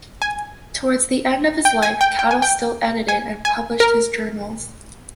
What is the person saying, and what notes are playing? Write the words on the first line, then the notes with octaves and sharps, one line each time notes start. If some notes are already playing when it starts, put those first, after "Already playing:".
Towards the end of his life, Cattell still edited and published his journals.
G#5
G5
G#5
G5
G5
G#5
G5
G#5
G#5
A#4